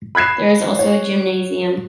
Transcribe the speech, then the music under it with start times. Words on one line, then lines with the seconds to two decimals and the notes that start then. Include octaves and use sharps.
There is also a gymnasium.
0.15 B5 F#6 G#6 C7 E7
0.79 C#5